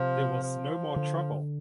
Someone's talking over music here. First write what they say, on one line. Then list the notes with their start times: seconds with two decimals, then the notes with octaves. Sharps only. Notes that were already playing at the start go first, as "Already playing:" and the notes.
There was no more trouble.
Already playing: C3 F3
0.43 F3
0.96 D3